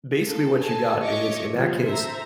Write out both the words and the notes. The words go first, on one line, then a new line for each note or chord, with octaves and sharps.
basically what you got is, in that case,
A#3 A4
A4 G#5 A5
C#5 D#5 E5 C#6 D6
D#3 F3 G3 B3
A4 C5 E5 A#5